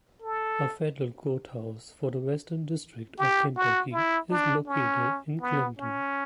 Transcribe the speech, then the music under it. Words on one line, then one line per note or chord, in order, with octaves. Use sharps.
A federal courthouse for the Western District of Kentucky is located in Clinton.
A4
G4
F#4
E4
D4
C#4
B3
C#4